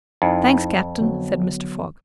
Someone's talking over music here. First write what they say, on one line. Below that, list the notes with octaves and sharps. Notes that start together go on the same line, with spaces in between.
"Thanks, captain," said Mr. Fogg.
F2 D#4 E4
D3 F#3 B3